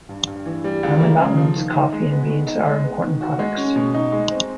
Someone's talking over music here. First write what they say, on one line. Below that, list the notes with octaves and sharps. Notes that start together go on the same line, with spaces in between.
On the mountains, coffee and beans are important products.
G2
G2
E3
G3
C#2
A#3
C#3
F3
D#3
D#4
G#3
B3
D#3
D#4
G#3
B3
D#3
F#4
G#3
C#4
B2
D#4
G#3
C4